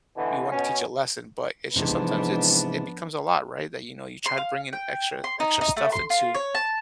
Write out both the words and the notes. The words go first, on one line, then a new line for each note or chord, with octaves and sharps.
we wanna teach a lesson, but it's just sometimes it's it becomes a lot, right? That you know, you try to bring in extra extra stuff into
B2 D3 E3
B2 C#4
G#2 C3 E3 F3 G#3 B3 D4
C6
F5
G5
C6
D#4
D#4
A3
C6
F4
C#5
A5